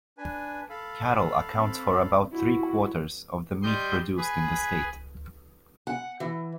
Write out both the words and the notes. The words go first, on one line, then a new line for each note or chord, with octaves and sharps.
Cattle accounts for about three quarters of the meat produced in the state.
D4 B4 G#5
A4 F5 B5
C4
E4 F#4
G3 D#5 C6 G6
G#4 B4
F#5
E3